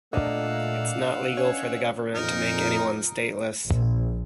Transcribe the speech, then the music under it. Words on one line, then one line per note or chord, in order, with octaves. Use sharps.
It's not legal for the government to make anyone stateless.
A#2 A3 D4 D#5 F5 F#5 E6
C#4 C#5
F2 A#2 D#4 A#4
A#1